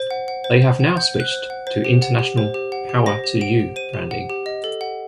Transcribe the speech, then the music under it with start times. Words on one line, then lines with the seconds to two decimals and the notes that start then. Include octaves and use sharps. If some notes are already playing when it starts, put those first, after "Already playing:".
They have now switched to international 'Power to you' branding.
Already playing: C5
0.11 F#5
0.28 F#5
0.44 C5
0.62 C5
0.80 F#5
0.97 F#5 G6
1.14 C5
1.20 F#6
1.32 C5
1.50 F#5
1.67 C5
1.84 G4
2.02 F#5
2.19 G4
2.38 C5
2.54 G4
2.72 F#5
2.89 G4
3.06 C5 A#6
3.24 G4
3.41 F#5 D7
3.60 G4
3.76 C5 D#7
3.94 G4
4.11 F#5
4.30 G4
4.46 D#5
4.64 A4
4.81 F#5